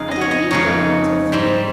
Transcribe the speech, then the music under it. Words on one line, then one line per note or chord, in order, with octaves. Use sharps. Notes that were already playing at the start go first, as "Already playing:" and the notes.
I don't mean to go home till three.
Already playing: F2 C#3 G#3 D#4 F5
D#5
C#5
D#5
F2 C#3 G#3 D#4 C#5
G#2 G3 C4